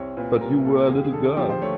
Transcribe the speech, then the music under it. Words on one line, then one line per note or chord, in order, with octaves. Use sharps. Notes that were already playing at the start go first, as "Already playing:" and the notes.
But you were a little girl.
Already playing: C2 C4 C#5
A#2 B4
G3 A#4
A#3 A4
D#2 G#4
G4
G#4
D3 A4
F3 G4
C5
A3 C#5